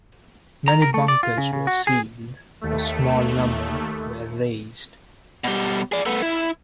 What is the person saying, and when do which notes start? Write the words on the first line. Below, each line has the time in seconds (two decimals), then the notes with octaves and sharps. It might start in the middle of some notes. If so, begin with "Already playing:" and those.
Many bunkers were sealed, a small number were razed.
0.68 A#5
0.82 A#4
0.94 A3
1.08 D5
1.23 F4
1.38 C#3
1.53 C#3
1.67 F#4
1.87 G#4
2.61 D#2 A3
5.44 B2 G3
5.92 G#4 D5
6.06 A3 B3
6.22 E4